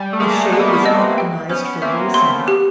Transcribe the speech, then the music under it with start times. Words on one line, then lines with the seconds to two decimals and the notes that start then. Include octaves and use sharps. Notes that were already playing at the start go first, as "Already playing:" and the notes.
The shape is optimized for racing.
Already playing: G3 G#5
0.13 A3
0.20 G#3 A#3 G#4
0.52 B3 G#5
0.60 A#3
0.68 A3
0.73 G#3 A#3
0.85 A#3 C4 D#5
1.18 G5
1.49 B3 C#4 C5
1.82 A#3 C4 E5
2.14 A3 B3 C6
2.47 B3 C#4 G4